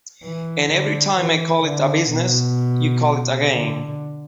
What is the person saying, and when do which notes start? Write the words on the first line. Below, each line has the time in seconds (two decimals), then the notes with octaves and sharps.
And every time I call it a business, you call it a game.
0.24 E3
0.71 D3
1.18 E3
1.65 D3
2.11 B2
3.52 D3